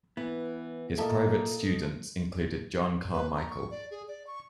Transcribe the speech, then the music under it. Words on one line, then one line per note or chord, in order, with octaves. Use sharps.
His private students included John Carmichael.
E3 B3
A#2 A#3 A4 D#5 E5
B4
A#5
C#6
D5
G#4
D5
C#6